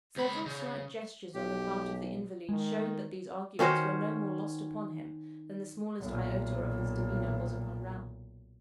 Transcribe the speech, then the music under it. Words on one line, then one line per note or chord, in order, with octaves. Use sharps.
Several slight gestures on the part of the invalid showed that these arguments were no more lost upon him, than the smallest iota of his demeanour was upon Ralph.
C#2 B5
C#3
B1 G4
D#3 G#3
D#3 C#4 F#4 C5
B1 A#2